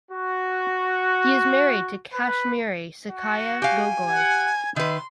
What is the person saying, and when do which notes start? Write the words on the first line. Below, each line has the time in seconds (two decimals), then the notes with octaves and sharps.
He is married to Kashmiri Saikia Gogoi.
0.10 F#4
2.12 B4
3.10 F#4
3.62 G4 F5 G#5
4.09 F#5 G#6
4.76 D#3 B4 E5 C6